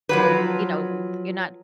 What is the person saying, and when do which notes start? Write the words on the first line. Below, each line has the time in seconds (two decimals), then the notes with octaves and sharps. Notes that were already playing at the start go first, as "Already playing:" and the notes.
you know, w you're not
0.09 F3 F#3 B4